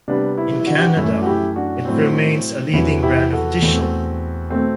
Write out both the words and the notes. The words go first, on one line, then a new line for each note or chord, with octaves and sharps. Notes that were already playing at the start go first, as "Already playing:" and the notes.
In Canada, it remains a leading brand of dish soap.
C3 G3 B3 D4
E4
E4
D4 F#4
G4
F#4
F#2 E3 A3 E4
F#4
E4 G4
D4 F#4
A2 F#3 C4
E2 C3 F#3 B3 E4
E4 G4
F#4 A4
E2 B2 A3 C4
B2 A3 C4